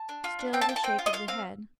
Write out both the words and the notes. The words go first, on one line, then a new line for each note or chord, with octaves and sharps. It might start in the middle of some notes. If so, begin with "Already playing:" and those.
Still the shake of the head.
Already playing: A5
D4
F4
D4
C4 G5
A5
F4 G5
A5
C4 G5
F4
D#5
F4 F5
C4 F5